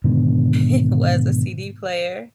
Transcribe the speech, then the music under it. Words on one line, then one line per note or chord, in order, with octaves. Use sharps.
it was a CD player,
G#2 B2 D3 D#3